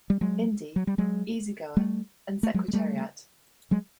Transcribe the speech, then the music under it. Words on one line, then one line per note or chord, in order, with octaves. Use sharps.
Indy, Easy Goer and Secretariat.
G3
F#3 G#3
F#3
G3
F#3 G#3
G3 A3
A3
F#3 G#3
G#3
G3 A3
F#3 G#3